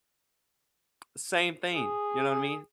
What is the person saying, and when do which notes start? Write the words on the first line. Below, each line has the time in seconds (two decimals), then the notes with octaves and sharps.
same thing, you know what I mean?
1.74 G#4